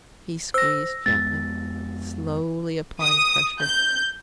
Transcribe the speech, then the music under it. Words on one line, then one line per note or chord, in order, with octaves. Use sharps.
He squeezed gently, slowly applying pressure.
C5 E6 A#6
F2 G#3 B3 A6
D#6
G6